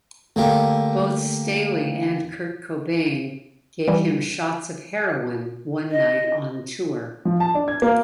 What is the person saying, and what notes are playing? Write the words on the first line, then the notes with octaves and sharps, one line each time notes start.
Both Staley and Kurt Cobain gave him shots of heroin one night on tour.
D3 A3 A#3 G4
E3 G3
D#5
F3
A5
D4
G#6
A#3